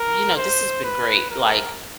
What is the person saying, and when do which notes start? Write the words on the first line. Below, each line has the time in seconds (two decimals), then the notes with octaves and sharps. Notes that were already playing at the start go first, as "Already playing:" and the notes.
you know, this has been great, like,
Already playing: A#4
0.36 C5
0.84 B4
1.30 A#4